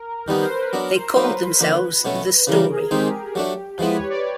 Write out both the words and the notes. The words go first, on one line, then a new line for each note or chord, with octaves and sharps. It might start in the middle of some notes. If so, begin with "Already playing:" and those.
They called themselves "The Story".
Already playing: A#4
D#3 G3 B3 D#4 B4
C5
C5
B4
F#3 B3 D4 A#4
C5
F#3 A#3 D#4 B4
D3 F3 A#3
B2 F#3 A3 C#4
C#3 E3 G3 A#4
G#4
D#3 G#3 C4 D#4 G4
F#3 A3 D4
F3 G#3 B3 E4 B4
C#5
D5